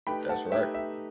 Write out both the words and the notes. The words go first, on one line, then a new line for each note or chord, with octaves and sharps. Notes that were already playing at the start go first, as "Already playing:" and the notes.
That's right.
A3 D#4 G4 B4 G5 B5
F#5 A5
A3 D#4 G4 B4 E5 G5
E5